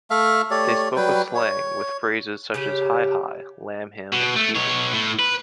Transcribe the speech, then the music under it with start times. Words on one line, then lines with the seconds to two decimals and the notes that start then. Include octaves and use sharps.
They spoke a slang, with phrases such as "hi-hi", "lam him", and "cheese it".
0.10 A3 E5 F5
0.51 A3 G4 C#5 D5
0.96 F#3 G3 B4 G5
1.35 C#5
2.54 C#3 G4
4.13 B2
4.36 A3
4.56 B2 C#5
4.93 A2
5.19 B4